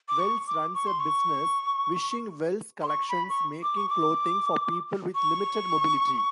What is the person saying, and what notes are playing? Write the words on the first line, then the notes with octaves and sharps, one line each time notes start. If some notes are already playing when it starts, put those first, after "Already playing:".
Wells runs a business, Wishing Wells Collections, making clothing for people with limited mobility.
D6
C#6
D6
C#6
C6
C#6
C6
C#6
B5
C#6
D6
C#6
D6
C#6